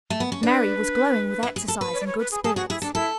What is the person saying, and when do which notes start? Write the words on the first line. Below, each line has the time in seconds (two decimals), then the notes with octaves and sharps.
Mary was glowing with exercise and good spirits.
0.10 A3
0.20 B3
0.32 C#4
0.42 D4 B4
1.43 E4
1.56 G#4
1.68 A4
1.81 B4
1.94 C#5
2.00 D5
2.06 C#5
2.19 B4
2.31 G#4
2.44 G#4 A4
2.56 F#4 G#4
2.70 E4 G#4
2.82 D4 A4
2.94 E4 A4